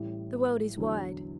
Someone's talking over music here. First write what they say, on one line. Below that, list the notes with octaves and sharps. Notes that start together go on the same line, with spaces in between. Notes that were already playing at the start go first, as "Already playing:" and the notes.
The world is wide.
Already playing: A1 A2 G3
E2 D3 F#3